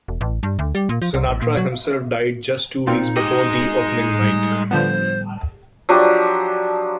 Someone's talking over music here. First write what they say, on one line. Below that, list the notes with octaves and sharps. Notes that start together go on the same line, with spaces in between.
Sinatra himself died just two weeks before the opening night.
E1
A1
G2
D2
G3
A#2
F3
C2
A1
A#2
F#3
A#2 C4 D#4 F4
G#3 G4 D#5
A2 G3
D3 F3 B3 C5
F3 F#3 D4 G4